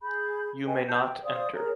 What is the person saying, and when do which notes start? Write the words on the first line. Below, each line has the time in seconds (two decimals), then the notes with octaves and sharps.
You may not enter.
0.02 G#4 B5 G6
0.66 B4 D#5 G5 G#5
0.87 A5 G6
1.04 G5
1.24 C5 D5 F5 D#6
1.53 G#4 A#4 C#5